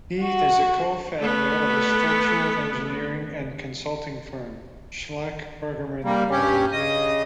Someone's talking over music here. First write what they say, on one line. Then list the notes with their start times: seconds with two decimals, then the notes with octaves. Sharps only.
He is a co-founder of the structural engineering and consulting firm schlaich bergermann partner.
0.22 F#4
1.19 A3 B3
6.04 G3 A#3
6.31 G2 C#4 G4
6.72 C#3 D#5 D#6